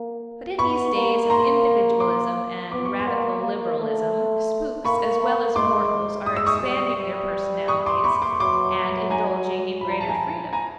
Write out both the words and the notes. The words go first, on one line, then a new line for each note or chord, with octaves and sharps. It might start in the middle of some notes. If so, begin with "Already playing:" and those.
But in these days of individualism and radical liberalism, spooks as well as mortals are expanding their personalities and indulging in greater freedom.
Already playing: A#3
B3 B5 C#6
A#3
A#5 C6
C6 D6
B3 D6
C#6
C6 D6
A#3
A#3
A3
A#3 B5 C#6
A#3
G#3 C6 D6
G#3 D#6
E6
C#6 D#6
G3
G3
C#6 D#6
C6 D6
B5 C#6
C6 D6
F#3 C6 D6
G#5 A#5
F3 B5
A#5
A5
G#5 A#5
G#5 A#5